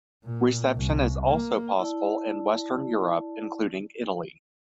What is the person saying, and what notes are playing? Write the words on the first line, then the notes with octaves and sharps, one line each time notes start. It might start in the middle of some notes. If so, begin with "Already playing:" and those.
Reception is also possible in Western Europe, including Italy.
A#2
C2
A#3
E4 D5 A5